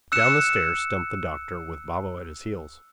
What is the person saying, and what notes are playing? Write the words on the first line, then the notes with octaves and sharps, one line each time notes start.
Down the stairs stumped the doctor with Babo at his heels.
E6 F#6 C#7 E7